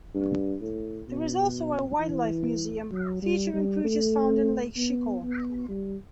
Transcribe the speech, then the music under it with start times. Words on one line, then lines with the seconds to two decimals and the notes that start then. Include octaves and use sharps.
There is also a wildlife museum, featuring creatures found in Lake Chicot.
0.15 G2
0.61 A2
1.08 B2
1.99 E3
2.92 F#3
3.22 G3
3.54 G3
3.84 A3
4.77 B3
5.23 B3
5.69 G3